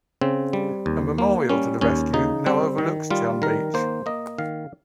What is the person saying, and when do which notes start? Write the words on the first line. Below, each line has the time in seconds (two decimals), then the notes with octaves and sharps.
A memorial to the rescue now overlooks Town Beach.
0.21 C#3 C4
0.53 G3
0.86 D#2
1.18 A#3
1.49 G3 C#4
1.81 D#2 C#4
2.14 C#3 D#4
2.46 G3 C4
2.78 D#3
3.10 G3 F4
3.42 D#3 A#4
3.74 A#3 C5
4.06 A#3 D#5
4.38 D#3 F5